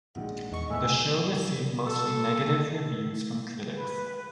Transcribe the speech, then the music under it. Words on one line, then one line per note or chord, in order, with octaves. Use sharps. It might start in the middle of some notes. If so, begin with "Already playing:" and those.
The show received mostly negative reviews from critics.
A#1 D#3 G#3 F#5
E2 D#5 C#6
A2 B3 C5 D#5 G#5 E6
A4
B4